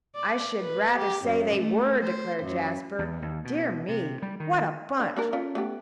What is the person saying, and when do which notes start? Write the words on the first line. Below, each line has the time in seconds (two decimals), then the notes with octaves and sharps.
"I should rather say they were," declared Jasper; "dear me, what a bunch!"
0.16 D5
0.60 B4
0.96 G4
1.26 F#2
1.56 A3
2.02 C5
2.43 F#2
2.99 E2
3.22 D#2
3.45 B2
3.89 C3
4.22 G3
4.40 D#3
5.00 D4
5.16 A#3 D4 A#4
5.32 C#4 F4 A4
5.55 A3 B3 G4